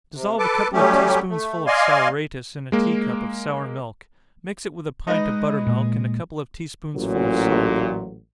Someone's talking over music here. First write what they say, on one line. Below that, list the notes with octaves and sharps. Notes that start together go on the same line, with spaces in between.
Dissolve a couple of tea-spoonsful of saleratus in a tea-cup of sour milk--mix it with a pint of butter-milk, and a couple of tea-spoonsful of salt.
C3
A4 B4 A5 D6
F#3 G3 A3 C#4 G4
A3
D5 D#5 F5 G#5 C6
G#3 A#3
G#3 D#4 B4 D#5
A#2
A1 A#2 F#3